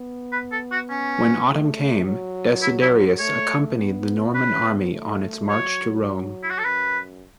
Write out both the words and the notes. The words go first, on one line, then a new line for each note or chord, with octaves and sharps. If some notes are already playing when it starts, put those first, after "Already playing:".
When autumn came, Desiderius accompanied the Norman army on its march to Rome.
Already playing: B3
B4
A4
F#4
C#4
A3
F#3
E4
E4
A3 C#5
B3
C#4 B4
B3
A3
F#3 C#5
E4
F#4
A4
F#2 B4